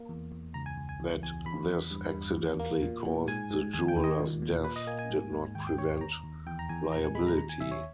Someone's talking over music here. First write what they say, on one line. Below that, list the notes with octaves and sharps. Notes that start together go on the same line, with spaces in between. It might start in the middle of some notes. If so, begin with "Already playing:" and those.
That this accidentally caused the jeweller's death did not prevent liability.
Already playing: A#3
E2
E2
C#2 A#5
G#5
C#2
G#5
E2
E2 G#5
E2 B5
E2
G2
G2
E2
A#3
A#2
A#2
G#2 G#5
G#2
D#2 G#5
G5
D#2
D#5
A#2
A#2
A#2 B4
D#5
A#3 G#5
G#5
G#2
G#2
D#2 G5
G5
D#2 C#5
C#5
D#2 A#5
D#2
E2 G5
A#5
E2 G#5
A#2 A#5
G#5
G#3 B5
A#5
D#2 A#5
G#5
D#2 E5
C#5